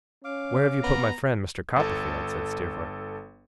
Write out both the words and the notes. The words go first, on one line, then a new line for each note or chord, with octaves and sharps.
'Where have you put my friend, Mr. Copperfield?' said Steerforth.
C#4 F5 D6
B3 A#5
G1 A4